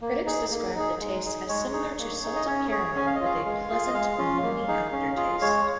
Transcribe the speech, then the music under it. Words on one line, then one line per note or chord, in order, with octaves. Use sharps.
Critics described the taste as similar to salted caramel with a pleasant umami aftertaste.
A#3
D#4 G#4
A#3
D#4 G#4
G#3
D#4 G#4
G#3 C#5
D#4 G#4
A#3
D#4 G#4
D#5
C#4 C#5
G#4 C#5
C#4 G#5
F5
D#5
F4 G#4 F5
G#3
F4 G#4
D#5
G#3 F5
C#4 F4
A#3
D#4 G#4
C#4
F4 G#4
G#3 C#5